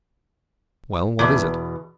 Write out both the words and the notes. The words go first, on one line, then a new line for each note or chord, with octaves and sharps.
"Well, what is it?"
E2 B2